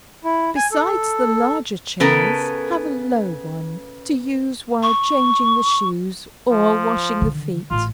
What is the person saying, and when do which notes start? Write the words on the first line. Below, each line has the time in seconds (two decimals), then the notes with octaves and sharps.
Besides the larger chairs, have a low one, to use while changing the shoes or washing the feet.
0.24 E4
0.56 G#5
0.72 A4
2.00 C#3 B3 A4 A#4
4.82 C#6
6.51 F3
7.21 D3 D#3
7.71 A1 F4